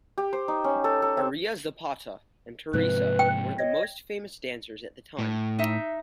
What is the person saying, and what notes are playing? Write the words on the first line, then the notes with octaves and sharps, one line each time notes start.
Aria Zapata and Teresa were the most famous dancers at the time.
G4
C5
D#4
C#4
A4
A4
C4
G#2 C3 F3 B4
G5
C#5 D#5
A2
D#4 E5